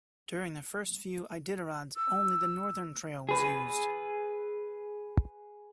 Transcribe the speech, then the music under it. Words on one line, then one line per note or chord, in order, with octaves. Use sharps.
During the first few Iditarods only the northern trail was used.
E6
G#4 B4